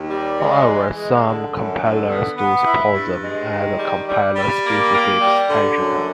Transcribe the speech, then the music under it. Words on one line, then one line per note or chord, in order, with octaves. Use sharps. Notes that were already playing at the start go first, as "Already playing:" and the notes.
However, some compilers do support them, as a compiler specific extension.
Already playing: D#2
G3
G#3
E3
G#3
D3
F#2
D3
B3
B3
E4
G2
G#3
D#3
G3
G3
G3
A#3
A#3
G3
D3
F#2